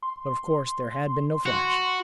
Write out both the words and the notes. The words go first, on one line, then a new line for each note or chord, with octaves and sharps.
But of course there had been no flash.
C6
F#4